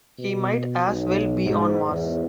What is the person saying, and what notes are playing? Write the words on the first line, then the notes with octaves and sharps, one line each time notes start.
He might as well be on Mars.
B2
B1
G#2
E2